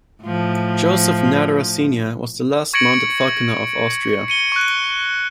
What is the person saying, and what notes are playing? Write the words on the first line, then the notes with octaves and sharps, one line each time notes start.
Joseph Natterer Senior was the last mounted falconer of Austria.
A2 F3
C#6 G#6 A#6 C#7 D7 F#7
C#7 D#7 G7
C#6 F#6